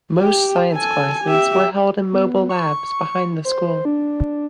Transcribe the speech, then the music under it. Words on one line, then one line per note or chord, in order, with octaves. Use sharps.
Most science classes were held in mobile labs behind the school.
G4
A4 G#5
G4 E5
B3
C#6
C5
D4